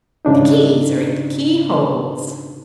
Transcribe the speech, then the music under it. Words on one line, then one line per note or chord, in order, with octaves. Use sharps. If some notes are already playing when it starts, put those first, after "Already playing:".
The keys are in the keyholes.
G#2 C#3 D4 D#4